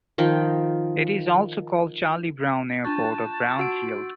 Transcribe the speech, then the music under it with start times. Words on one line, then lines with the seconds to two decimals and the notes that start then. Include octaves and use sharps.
It is also called Charlie Brown Airport or Brown Field.
0.18 D#3 F3 D#4 G5
2.84 D4 F4 A5 C#6 F#6 G6 A6
3.59 F#4 F#5 E6 D7